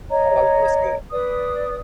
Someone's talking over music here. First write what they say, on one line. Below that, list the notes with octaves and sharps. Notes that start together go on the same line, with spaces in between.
Oh, I was gonna say
C#5 D#5 A#5
B4 D5 D#6